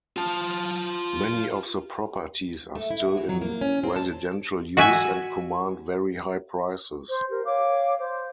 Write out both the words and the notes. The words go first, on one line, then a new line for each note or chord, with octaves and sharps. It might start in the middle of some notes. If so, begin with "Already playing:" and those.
Many of the properties are still in residential use and command very high prices.
F4 A5
A3
E4
F#4
E3
F#3
A#3
C#4
C4
A5
F#4 E5 G#5
C5
G4 A#4
C#5 F5 D6
C5